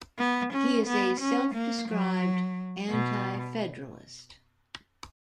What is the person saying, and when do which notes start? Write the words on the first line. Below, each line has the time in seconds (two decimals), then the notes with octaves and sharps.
He is a self-described Anti-Federalist.
0.19 B3
0.53 C#4
0.87 B3
1.20 C#4
1.55 A#3
1.89 F#3
2.90 B2